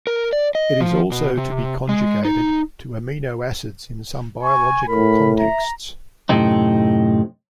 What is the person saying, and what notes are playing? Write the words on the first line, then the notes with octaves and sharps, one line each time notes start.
It is also be conjugated to amino acids in some biological contexts.
A#4
D5
D#5
F3
B2
C3
G#3
D#4
G#5 C#6
A2 A#4 B5
E5 A#5
F#2 A2 C3 C4 D#4